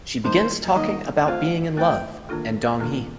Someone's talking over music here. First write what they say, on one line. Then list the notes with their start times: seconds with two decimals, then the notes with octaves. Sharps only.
She begins talking about being in love, and Dong-hee.
0.24 D#3 G3 A#3 D#4 A#4 C5
0.75 D#3 G3 A#3 D#4 A#4 D#5
1.26 A3 C4 F4 C5 F5
1.77 A3 C4 F4 C5 G5
2.29 D#3 A#3 D4 F4 A4
2.80 D#3 A#3 D4 F4 A4